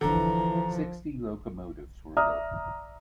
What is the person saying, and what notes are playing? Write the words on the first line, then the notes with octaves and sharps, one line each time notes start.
Sixty locomotives were built.
D3 E3 F3 A#5
D5 E5 A#5 D#6 F6